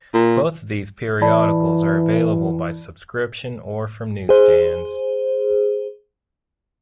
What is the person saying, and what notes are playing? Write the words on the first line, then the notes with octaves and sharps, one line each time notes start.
Both of these periodicals are available by subscription or from newsstands.
A#2
E3 D5 A5 B5
G#4 C5